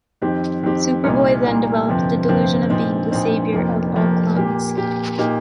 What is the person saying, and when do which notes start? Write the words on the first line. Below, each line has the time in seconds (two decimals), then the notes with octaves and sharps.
Superboy then develops the delusion of being the savior of all clones.
0.22 F2 D#3 C4 G4
0.63 F2 D#3 C4 G4
1.04 C2 A#2 G3 A#3 D#4
1.46 C2 A#2 G3 A#3 D#4
1.88 G1 F2 C3 F3 C4
2.29 G1 F2 C3 F3 C4
2.69 A#1 A#2 F3 C4 D#4
3.11 A#1 A#2 F3 C4 D#4
3.53 F1 F2 F3 A#3
3.94 F1 F2 F3 A#3
4.35 A#2 A#3 G4
4.77 A#2 A#3 G4
5.18 A#2 A#3 D#4 G4